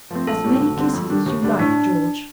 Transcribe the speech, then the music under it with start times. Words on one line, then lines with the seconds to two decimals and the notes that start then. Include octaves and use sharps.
"As many kisses as you like, George."
0.11 F3 A3 C4
0.27 A#1 A4
0.44 A2 G3
0.61 D2
0.77 D3 G3 C4
0.93 F2
1.10 D#3 G3 D4
1.26 D#2
1.42 D3 G3 D4
1.59 A2 D4